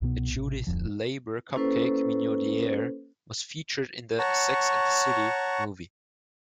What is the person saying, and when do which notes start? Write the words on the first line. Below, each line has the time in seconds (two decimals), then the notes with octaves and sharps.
A Judith Leiber cupcake minaudiere was featured in the "Sex and the City" movie.
0.02 C2 B2 B3
0.33 A1 C3
0.67 D1 F2 F3
1.55 A#3 C#4 E4 A4 B4 C5
4.19 C#5 F#5 A5 A#5 C#6